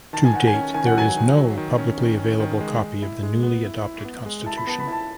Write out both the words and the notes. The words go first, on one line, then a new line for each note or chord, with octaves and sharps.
To date, there is no publicly available copy of the newly adopted constitution.
D#3 A5
G#5
D#3 F#5
G#5
C#4
D#3 G#5
F#5
F#3 G#5
D#3
F#3
D#3
C#4
D#3
C#4
D#3
G#3
G#3
E4
G#3
B3
E4
E4
B3
G#3
E4 A5
B5
B3 A5
B5
E4 A5